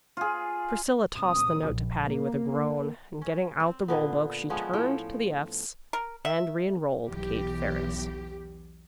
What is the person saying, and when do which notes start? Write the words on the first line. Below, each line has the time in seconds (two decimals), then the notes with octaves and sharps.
Priscilla tossed the note to Patty with a groan, and getting out the roll-book, she turned to the F's and reenrolled Kate Ferris.
0.17 F4 G#4
1.17 D#6
1.70 A#1
2.04 A#3
3.21 C#4
3.60 C4
3.88 A#2 D3 B3
4.50 F3 G#3 B3 C#4
4.73 A2 F3 C#5 G5
5.93 A#4
6.25 E5
7.09 B1 E2 G4